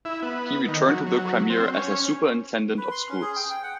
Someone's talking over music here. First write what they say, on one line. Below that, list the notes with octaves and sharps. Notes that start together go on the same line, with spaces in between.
He returned to the Crimea as a superintendent of schools.
E4
B3
D#3
F#3
F#3
C4
C#4
B4
C6
C#4
G#4
G5
G5
F#5